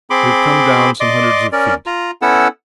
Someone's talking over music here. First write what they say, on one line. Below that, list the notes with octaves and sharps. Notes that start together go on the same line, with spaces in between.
We have come down some hundreds of feet.
C4 G#4 B5 C6 D6
D5 D#5 C6 D6
C#4 A#4 D5
F4 A#5
B3 C#4 E4 A4 F#5 E6